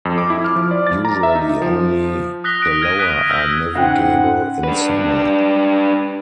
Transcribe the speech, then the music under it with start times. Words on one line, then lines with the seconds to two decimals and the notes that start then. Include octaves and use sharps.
Usually only the lower are navigable in summer.
0.05 F2
0.18 D6
0.30 E4
0.44 F6
0.56 F3
0.71 D5
0.87 A6
1.05 A#5
1.23 E5
1.35 D#4
1.62 F3
2.44 D#6 F#6 A#6 B6 G7
2.62 F#6 A#6 D7 G7
2.81 F6 G#6 A#6 D#7
2.99 D#6 F#6 B6 D#7
3.29 E6 F6 G6 G#6 A#6 B6
3.75 G#2 C#3 E5 F#5 G5
4.64 D4 B4